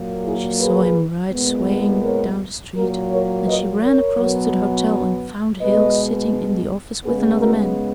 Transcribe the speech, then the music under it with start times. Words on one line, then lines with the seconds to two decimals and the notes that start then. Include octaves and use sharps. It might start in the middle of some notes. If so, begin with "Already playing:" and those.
She saw him ride swaying down the street and she ran across to the hotel and found Hale sitting in the office with another man.
Already playing: A#2 F#3 A#3
0.25 E4 G#4
0.60 G#4 B4
1.33 A#2 G#3 B3
2.03 A#4 C#5
2.75 A#2 F#3 A#3 F#4 A#4
3.11 A#4 C#5
3.46 B4 D#5
3.83 A#4 C#5
4.18 B2 F#3 B3
5.61 B2 G#3 B3 B4 D#5
7.04 C#3 G#3 B3 G#4 B4
7.40 F#4 A#4